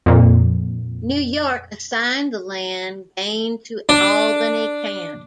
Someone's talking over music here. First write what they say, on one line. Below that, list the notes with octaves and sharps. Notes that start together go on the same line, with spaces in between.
New York assigned the land gained to Albany County.
F2 A#2
D4